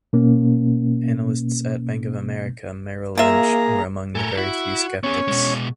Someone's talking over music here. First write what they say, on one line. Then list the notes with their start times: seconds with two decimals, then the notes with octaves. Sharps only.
Analysts at Bank of America Merrill Lynch were among the very few skeptics.
0.13 B2 A#3 C#4
3.18 A#3 F4 G#4 E5 A#5
4.15 A2 A4 A#4 G#5
4.37 E4 F#4
5.03 B3 C#4 G#4 C#5
5.28 B2 G#3